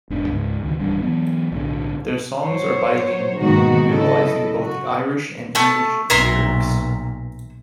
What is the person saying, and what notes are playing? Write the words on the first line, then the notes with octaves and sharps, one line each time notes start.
Their songs are bilingual, utilising both Irish and English lyrics.
E1 G#2 D4
C#2 G#2
C#2 D#3
D#1 A1 G3 D4
E3 F#3 B3
B1 A2 D3
F#3 C5 C#5
G#2 B2 D#3 A#3 D#4 F#4
C#3 F#3 E4 A4 D#5
F#4
A3 A5
B1 A#2 E5 A#5 C6